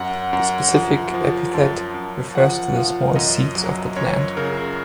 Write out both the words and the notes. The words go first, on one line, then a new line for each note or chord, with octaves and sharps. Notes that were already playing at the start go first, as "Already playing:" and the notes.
The specific epithet refers to the small seeds of the plant.
Already playing: F#2 F#5
F#2 F#5
F3
F3
F#2 A5
F#2
F3 F#5
F3 F5
F#2 D#5
F#3
F#2 C#5
C#3 A#4